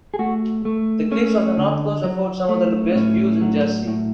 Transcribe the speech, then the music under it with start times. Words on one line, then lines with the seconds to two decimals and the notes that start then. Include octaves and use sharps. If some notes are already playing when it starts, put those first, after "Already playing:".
The cliffs of the north coast afford some of the best views in Jersey.
0.14 G#4
0.19 A3 F#4
0.65 A3
1.11 A3 C#4
1.57 D3
2.04 F#3
2.49 A3
2.92 D4
2.95 A2 C#4
3.41 F#3
3.87 A2